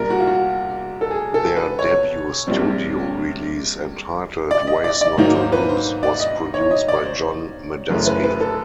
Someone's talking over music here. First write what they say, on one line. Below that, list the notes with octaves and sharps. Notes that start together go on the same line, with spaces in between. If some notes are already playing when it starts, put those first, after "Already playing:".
Their debut studio release, entitled "Ways Not to Lose", was produced by John Medeski.
Already playing: A#1 A#2 G3 A#4
F#4
F4
F#4
A4
G#4
A4
B4
C#5
A#1 A#2 G3 C4
D5
D#5
D5
D5
G#2 D#3 F#3 A#3 D#4 C5
C5
B4
C5
D5
D#5
C#5
D#5
D5
C5
F#1 F#2 C#3 E3 A3
B4
B4
A4